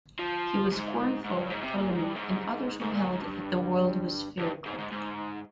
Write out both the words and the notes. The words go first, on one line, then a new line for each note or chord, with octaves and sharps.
He was scornful of Ptolemy and others who held that the world was spherical.
F3
G#2
G#2
G2
G#2
C3
A#2
G#2
G2
G#2
G#2
A#2
G#2
G2
G2
G#2
G#2
G#2